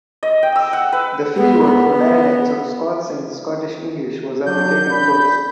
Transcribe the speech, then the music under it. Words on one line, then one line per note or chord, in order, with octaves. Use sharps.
The fieldwork for dialects of Scots and Scottish English was undertaken first.
D#5
G5
E6
F#5
B4
B3
B3
F#3 D4 G6
D4 B5